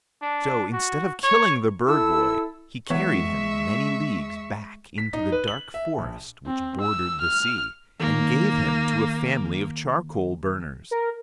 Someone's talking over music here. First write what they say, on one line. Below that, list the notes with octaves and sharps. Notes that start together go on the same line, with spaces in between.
So, instead of killing the bird-boy, he carried him many leagues back into the dark forest which bordered the sea, and gave him to a family of charcoal-burners.
D4
F#4
C#5
E4 A4 E6
E3 G#3 B3 C#5 E5 C#6
B6
D#4
B4
F#7
E5
A#1
C4
E6
F6
D#2 D#3 A#3
A#4